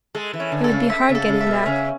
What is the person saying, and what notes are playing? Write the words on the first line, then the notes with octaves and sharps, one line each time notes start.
It would be hard getting back.
G#3 A4
E3
C#4
D3
A4
C#3
E5
C#3
A4
C#3
E5
B2
C#3 C#4